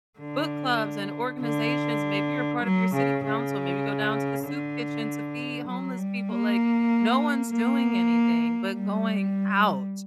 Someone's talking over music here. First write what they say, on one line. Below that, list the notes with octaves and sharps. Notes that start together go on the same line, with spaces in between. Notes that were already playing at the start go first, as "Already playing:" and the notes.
book clubs and organizations, maybe you're part of your city council, maybe go down to the soup kitchen to feed homeless people, like, no one's doing anything, but going out!
D3
D3
F#3
C#3
C#3
D3
F#3
G3
A#3
A#3
G3